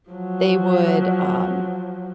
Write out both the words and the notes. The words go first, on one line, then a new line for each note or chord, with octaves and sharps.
They would, um
F3 F#3